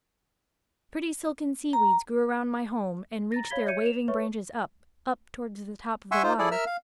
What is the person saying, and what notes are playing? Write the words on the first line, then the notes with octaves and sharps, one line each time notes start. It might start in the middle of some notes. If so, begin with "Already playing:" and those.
Pretty silken sea weeds grew around my home and reached their waving branches up, up towards the top of the water.
A#5
A#5 A6 A#6
C#5 F5 B5 G#6 B6 G7
C#5 E5 G6 G#6 C#7 D#7
E7 F7
B4 C#5 E5 C#6
E5 F#5 G#5 C6 C#6 E6
D#4 F4 C5
E4 G#4 A4 D5
A#4 E5 E6 F6
F5